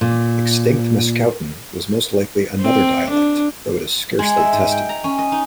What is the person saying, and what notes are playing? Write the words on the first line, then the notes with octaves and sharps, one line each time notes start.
Extinct Mascouten was most likely another dialect, though it is scarcely attested.
A#2
C4
D4
G#3
E5
G#2
G5
A#5
C#4
D#5
D#4